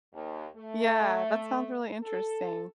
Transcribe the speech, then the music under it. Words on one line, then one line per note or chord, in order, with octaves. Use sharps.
Yeah, that sounds really interesting.
D#2
A3
A4